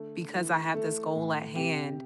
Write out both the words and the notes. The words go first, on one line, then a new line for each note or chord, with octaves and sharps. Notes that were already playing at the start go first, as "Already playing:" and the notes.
"Because I have this goal at hand,
Already playing: D3 A3
E3
A3
A2
C3 G4